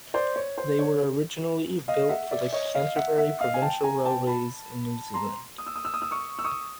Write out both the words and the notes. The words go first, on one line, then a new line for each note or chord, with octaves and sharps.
They were originally built for the Canterbury Provincial Railways in New Zealand.
C5 D5
C#5
C5
C#5
D#5 F5
E5 F#5
D5 E5
C#5 D#5
D#5 F5
E5 F#5
E5 F#5
D#5 F5
G#5
G5 A5
G#5 A#5
G5 A5
A5 B5
A#5 C6
D#6
E6
D#6
E6
D#6
E6
C#6 D#6
E6
C#6 D#6